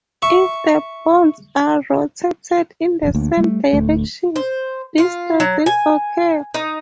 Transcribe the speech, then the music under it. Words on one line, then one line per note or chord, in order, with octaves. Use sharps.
If the bonds are rotated in the same direction, this doesn't occur.
E5 C#6
D1 F2
D2 A#3
G3 A3
D1 D2 A3
C5
F4
F#3
G#5
D#4